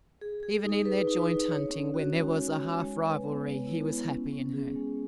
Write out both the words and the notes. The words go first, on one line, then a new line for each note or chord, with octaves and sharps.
Even in their joint hunting, when there was a half rivalry, he was happy in her.
G#4
G#4
D#4
B4
D#4
D#4
C#5
C#4
F#4
G#3
F#4
C#5
G#3
B4
B3
G#3
E4
B3
C#4
C#4
G#4
G#3